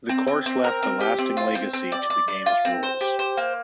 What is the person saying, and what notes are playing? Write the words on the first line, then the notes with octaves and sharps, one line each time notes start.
The course left a lasting legacy to the game's rules.
C4
C4
C4
A#4
C4
G4
C4
F4
C4
C4
D5
D5
D5
F4
C4
C5
G4
C5
A#3